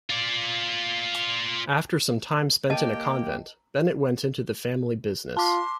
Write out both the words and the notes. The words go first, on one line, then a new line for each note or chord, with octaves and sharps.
After some time spent in a convent, Bennett went into the family business.
F4 D5
A#3 G4 D#5 G5 A5
F4 A5 C6 D6